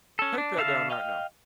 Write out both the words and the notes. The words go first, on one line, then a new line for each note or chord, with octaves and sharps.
Take that down right now.
C#4 A4
D4
D3 E5 F5 A5 F6
D#5 F5 G5 F6